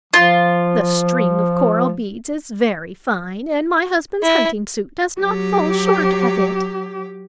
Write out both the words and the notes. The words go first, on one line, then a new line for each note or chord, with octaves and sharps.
The string of coral beads is very fine, and my husband's hunting suit does not fall short of it.
F3 F4
E4
F#3 G4